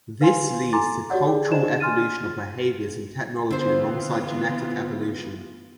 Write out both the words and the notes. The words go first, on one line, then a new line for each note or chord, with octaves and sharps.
This leads to cultural evolution of behaviors and technology alongside genetic evolution.
B4 F5 G#5 C6
A4 G#5 A#5 C6 D6 A6
F#4 G4 C#5 D5 F#5
G#4 D5
D4 D#4 C5 D5 D#5 E7
G#5 C6 F6 A6 D#7
D3 E3 B3 C4 F4 C5